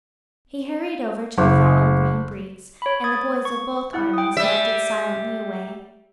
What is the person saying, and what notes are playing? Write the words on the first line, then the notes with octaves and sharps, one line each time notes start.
He hurried over to the fallen Green Breeks, and the boys of both armies melted silently away.
F#1
C#5 B5
D#6 G#6 A6
C#6
E4 F#5
G5 D#6
G3 E5